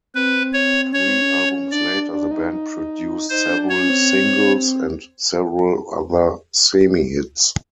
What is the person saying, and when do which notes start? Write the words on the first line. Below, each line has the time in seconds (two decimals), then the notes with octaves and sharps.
Three albums later, the band produced several singles and several other semi-hits.
0.14 C4 B4
0.53 C#5
0.93 C#4 C#5
1.07 C4
1.21 C#4
1.72 D4 D5
1.92 D4
2.11 D4
2.31 D#4
3.30 D#4 C5
3.50 D4
3.70 C#4 C#5
3.89 C4